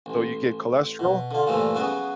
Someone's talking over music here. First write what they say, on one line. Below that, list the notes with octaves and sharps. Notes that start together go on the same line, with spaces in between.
So, you get cholesterol
A1
B2
D3 F4
G2 A#2 E3 F3 A3
C#3 F#3 B3 F#4 G#4